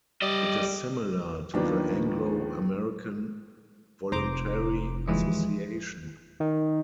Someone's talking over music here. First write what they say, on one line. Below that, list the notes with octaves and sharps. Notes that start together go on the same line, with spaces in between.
It is similar to the Anglo-American voluntary association.
G3 D5 D#5
D#2 D#3 F3 B3 D4
F1 C5 A#5 D6
D#2 E3 F3 G#3
D#3